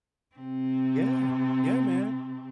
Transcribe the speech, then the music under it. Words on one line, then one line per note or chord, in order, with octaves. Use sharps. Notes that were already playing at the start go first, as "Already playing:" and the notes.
Yeah. Yeah, man.
C3 C4